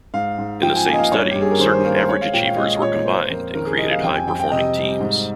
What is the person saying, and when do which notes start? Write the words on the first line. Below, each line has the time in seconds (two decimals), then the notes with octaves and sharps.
In the same study, certain average achievers were combined and created high performing teams.
0.14 G#2 F5
0.38 G#2
0.62 F3 G5
0.76 G#5
0.88 A#3 G#5
0.93 D#5
0.99 F5
1.12 G2 C#5
1.31 G2 G4
1.41 G#4
1.51 A#4
1.59 D#3 C5
1.72 C5
1.84 A#3 A#4
1.96 C5
2.09 G#3 C#5
2.21 F5
2.33 A#2 G5
2.45 F5
2.57 G#3 D#5
2.82 A#2 C#5
3.05 A#3 C5
3.30 F2 A#4
3.54 D#3 A#4
3.66 G#4
3.78 G3 D#5
3.91 F5
4.03 F2 G5
4.16 G#5
4.27 F2 G5
4.39 G5
4.52 C3 D#5
4.76 G3
5.00 G#2